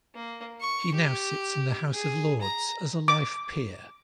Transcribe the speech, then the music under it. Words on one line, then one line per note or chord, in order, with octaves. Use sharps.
He now sits in the House of Lords as a Life Peer.
A#3
C#6
G4
G#4
A#5
D6